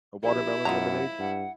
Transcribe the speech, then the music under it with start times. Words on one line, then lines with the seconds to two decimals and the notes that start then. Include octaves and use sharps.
a watermelon lemonade.
0.23 A#1 E4 G4
0.65 F#2 F3 G#3 F#5 A#5
1.19 G2 F#5